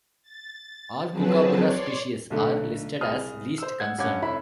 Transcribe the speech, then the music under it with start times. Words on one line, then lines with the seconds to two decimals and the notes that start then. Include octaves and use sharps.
All kookaburra species are listed as Least Concern.
0.23 A6
1.10 F3 F#3 C4 G#4 B4 A5
1.60 C#5 D5 C6
2.30 B1 D3 A3
3.01 C2 G#4 D#6 F6
3.58 C5 E6
3.80 F#5 G#6
3.98 G2 C#4 F#5 D6 G#6
4.22 F1 E4 C#5 B5 B6